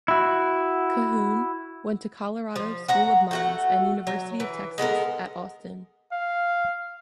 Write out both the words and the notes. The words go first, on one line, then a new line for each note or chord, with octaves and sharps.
Cahoon went to Colorado School of Mines and University of Texas at Austin.
E4 F#4
F3
F#4 F#5 A#5
A3 F#4 F#5
F#3
E3
G#3 B3 A4 A#4
F5